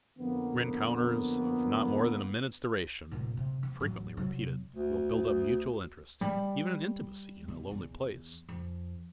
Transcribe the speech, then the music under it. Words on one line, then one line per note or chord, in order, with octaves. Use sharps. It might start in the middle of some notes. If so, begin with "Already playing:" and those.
Rencounters of not more than a minute's duration, frequently repeated, will build up mutual interest, even an intimacy, in a lonely place.
F2 D3 A#3 B3
F1 A#2
C3
F3
A1 F#3
C3 F#3
D2
G3
B2
E2
F2